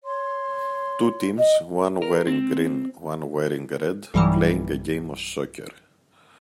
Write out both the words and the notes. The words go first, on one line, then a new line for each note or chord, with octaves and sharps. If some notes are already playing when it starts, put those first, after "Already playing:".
Two teams, one wearing green, one wearing red, playing a game of soccer.
C#5 C6
D#5
A#4
C4
B1 G2 E3 F#3 G3